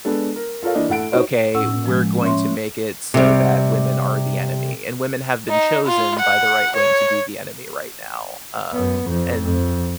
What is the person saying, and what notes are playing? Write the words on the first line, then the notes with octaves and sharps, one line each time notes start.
"Okay, we're going to make it so that women are the enemy," and women have been chosen by the right wing to be the enemy right now, um, and
G#3 B3 D4 A4
A#4
F4 A4 A#4 C#5 F5
E3 A#3 D4 D5 D#5
A2 A4 F#5 D7
D#4 F#4 C5 C#5
A2 C#4 F#5 E6
F3 G#3
C#4 C#5 E5 C6
C3 G3
D#4
F4
F#5
C#5
F#2 B3
F2 F3
F2